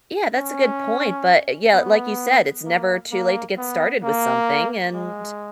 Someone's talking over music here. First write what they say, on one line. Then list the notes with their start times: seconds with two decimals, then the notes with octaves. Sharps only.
Yeah, that's a good point, but, yeah, like you said, it's never too late to get started with something, and
0.36 C#4
1.73 B3
2.66 A#3
3.12 A#3
3.58 B3
4.04 A#3
4.94 G#3